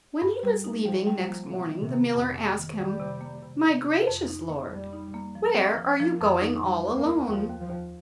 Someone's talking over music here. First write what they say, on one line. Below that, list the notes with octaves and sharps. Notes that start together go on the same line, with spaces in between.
When he was leaving next morning the miller asked him: 'My gracious lord, where are you going all alone?'
G2
G3
D#4
F3 G3
G3
F3
A#3
C3 A#3
D#3
C3
A#3
F2 C3
A#3
D#3
D#3 G3
C3
A#3
C3
C3
C3
F2
D#4
A#3
F2 G3
D#4
A#3
F3
C4
F3
F3 A#3
F2
D#4
G3
D#2
A#3
D#2
D#2 F3
D#2
F3
D#2